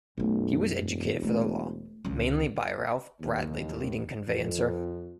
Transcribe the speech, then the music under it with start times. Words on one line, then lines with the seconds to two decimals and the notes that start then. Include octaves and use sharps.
He was educated for the law, mainly by Ralph Bradley the leading conveyancer.
0.18 B1 F#2 A3
0.81 E1
1.23 A3
2.05 C#2 D3
3.21 D#2
4.28 F2